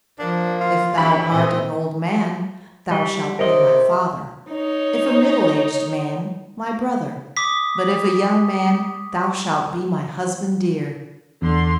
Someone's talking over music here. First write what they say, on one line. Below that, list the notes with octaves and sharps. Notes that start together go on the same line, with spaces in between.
If thou art an old man, thou shalt be my father; if a middle-aged man, my brother; but if a young man, thou shalt be my husband dear.
F3 A#3 D4
F4
D3 E3 G4 B5
A#2 A3 C4 D#5
G3 D#5
C3 A#4 C#5 D#5
D#4 C#5
D6 D#6 B6
E2 D3 C6